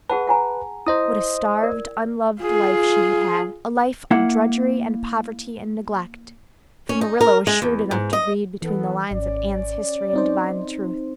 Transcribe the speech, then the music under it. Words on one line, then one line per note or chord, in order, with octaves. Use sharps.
What a starved, unloved life she had had--a life of drudgery and poverty and neglect; for Marilla was shrewd enough to read between the lines of Anne's history and divine the truth.
G#4 B4 F#5 A5
F#5 G#5 A#5
E4 C5 D#5 D#6
A#4 D5
F4 G#4
A#3 E4 F#5
C#4
D#4
A#4
G#3
E2
G#2
D#5
E3 B3 A4
G#1 C#4 D5
C4 D#4 C5